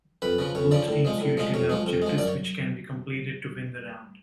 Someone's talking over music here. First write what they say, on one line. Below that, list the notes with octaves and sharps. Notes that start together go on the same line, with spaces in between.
Both teams usually have objectives which can be completed to win the round.
F2 B4
C#3 F3
F2 C#5
C#3 F3 D5
A2
F3 G#3
A2
F3 G#3
F2 C#5
F3 G#3
F2
F3 G#3
F#2 D5
C#5